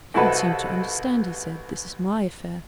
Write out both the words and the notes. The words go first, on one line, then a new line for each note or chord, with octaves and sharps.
"You don't seem to understand," he said, "this is my affair."
C2 E4 F#4 A4 B4 D#5